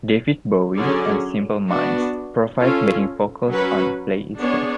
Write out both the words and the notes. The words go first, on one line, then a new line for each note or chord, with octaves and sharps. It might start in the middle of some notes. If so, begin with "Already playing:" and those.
David Bowie and Simple Minds provide backing vocals on "Play It Safe".
D3 F#3 C#4 G#4 D5
B3 D4 F#4
C#4 F4 A4
F#3 C#4 F#4 B4
B3 D4 G#4 C#5